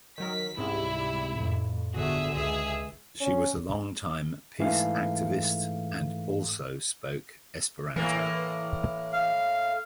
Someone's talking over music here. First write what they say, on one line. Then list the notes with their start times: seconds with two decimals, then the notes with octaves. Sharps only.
She was a longtime peace activist, and also spoke Esperanto.
0.18 D#3 F#3 A#4 B6
0.57 C#2 G#2 C3 G3 E4
1.31 F2 A2
1.94 G1 D3 F#4 G#4 E5
2.34 C#2 G#4 E5
3.20 C#4
4.59 G#2 E3 A3 A4 F5
7.96 A2 E3 A#3
9.13 F5